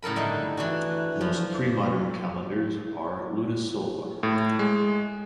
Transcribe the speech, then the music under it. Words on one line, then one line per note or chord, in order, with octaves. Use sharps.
Most pre-modern calendars are lunisolar.
A2 C#3 A4 A#4 B5
G2 D3 A3 D#4
E3 D4 F#4
F3
A2
G#3